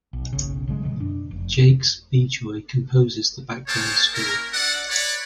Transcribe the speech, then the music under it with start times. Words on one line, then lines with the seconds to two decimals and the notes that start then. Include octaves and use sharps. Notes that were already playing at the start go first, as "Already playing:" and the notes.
Jakes Bejoy composes the background score.
0.13 B1
0.33 F#1 B1 C#3
0.68 G#1 C#3 F#3 G#3
0.83 B2 D3 F3 G#3
1.00 F#2 D4
1.31 F1
3.68 A#3 G#4 C5 C#5 G5 A5
4.13 A#3 C#4 E4 A#4
4.53 D4 A4 D5 F#5
4.89 B4 C#5 D5